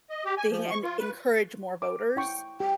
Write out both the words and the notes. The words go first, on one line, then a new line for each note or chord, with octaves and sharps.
thing and encourage more voters
D#5
G4
G#5
F3
C#6
F4
B4
D6
E4 G5 C#6
G4 G5